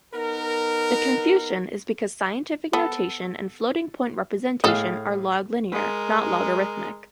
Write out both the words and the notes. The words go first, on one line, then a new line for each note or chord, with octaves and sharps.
The confusion is because scientific notation and floating-point representation are log-linear, not logarithmic.
B3 D#4 A#4
B3 A4
A2 G#4 A4 D#5 F5
G#3 A#4